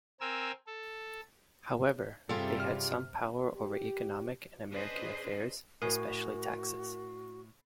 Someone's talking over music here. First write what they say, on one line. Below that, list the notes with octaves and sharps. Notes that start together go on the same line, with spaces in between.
However, they had some power over economic and American affairs, especially taxes.
C4 A#4 G#5 E6
A4
G2 C3 G3 F4 G#4 A4
F6
G4
C#4 D4 G#4 B4 C5 D#5
A2 F#4 A#4 G#5